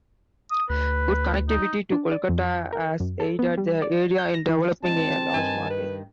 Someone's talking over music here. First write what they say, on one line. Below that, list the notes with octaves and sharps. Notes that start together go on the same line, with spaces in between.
Good connectivity to Kolkata has aided the area in developing a large market.
D#6
D2 B4
D#4
D4
D5
F2
A#4
F#2
A4
B3
G3
D5
G6
A#6
E3
G#3 C4 D4 A5
G2 D#3 G#5
B4